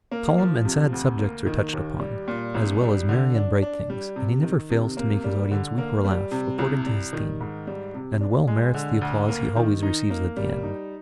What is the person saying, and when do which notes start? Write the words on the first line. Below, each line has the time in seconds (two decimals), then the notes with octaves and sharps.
Solemn and sad subjects are touched upon, as well as merry and bright things, and he never fails to make his audience weep or laugh, according to his theme, and well merits the applause he always receives at the end.
0.12 A#3
0.38 F3
0.65 C3
0.93 D2
1.19 A#3
1.46 D#3
1.73 D#2
2.00 G3
2.28 A#2
2.55 C2
2.82 G3
3.09 D3
3.36 D4
3.62 D4
3.90 G3
4.16 C3
4.43 D#3
4.70 C3
4.97 A#3
5.24 G3
5.51 D3
5.78 A#3
6.04 G3
6.31 C3
6.59 C2
6.86 G3
7.13 D#3
7.41 G#2
7.67 G3
7.94 C3
8.21 D4
8.48 G#3
8.74 D3
9.01 D2
9.28 A#3
9.56 D#3
9.83 D#4
10.10 A#3
10.37 G3
10.63 D#4